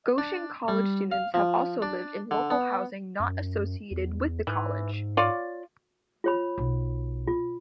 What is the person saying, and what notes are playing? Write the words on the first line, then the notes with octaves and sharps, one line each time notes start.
Goshen College students have also lived in local housing not associated with the college.
D4
G3
F5
F3
D4
D3
B3
F#2
E2
G#2 E3
F4 C#5 D5
F4 C#5 B5
B1
F4